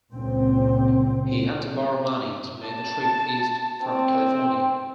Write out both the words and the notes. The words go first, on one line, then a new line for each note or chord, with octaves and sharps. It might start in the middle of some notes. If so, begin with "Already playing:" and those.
He had to borrow money to make the trip east from California.
C#2 A#2 C4
A5
C4